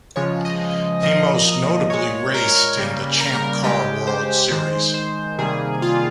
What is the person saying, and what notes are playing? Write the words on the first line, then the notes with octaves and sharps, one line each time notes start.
He most notably raced in the Champ Car World Series.
C#3 F3 G#3 C#5
D#5
A#2 F3 A#3 D#5
A#2 G#3 C#5
A#4
C#3 G3 A#3
A#4
C#3 G#3 G4
C5
D#3 G#3 C5
C5
C3 D#3 G3 A#3 G#4
F4